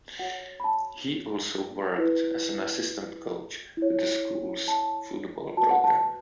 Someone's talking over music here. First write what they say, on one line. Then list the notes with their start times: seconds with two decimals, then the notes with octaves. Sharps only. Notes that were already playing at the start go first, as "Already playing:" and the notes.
He also worked as an assistant coach with the school's football program.
0.19 F#4 C#5 F#5
0.60 B5
0.64 A5
1.98 E4 B4
3.77 E4 C#5
4.68 A5
5.57 F#4 B4 A5
5.71 F#5
5.84 A5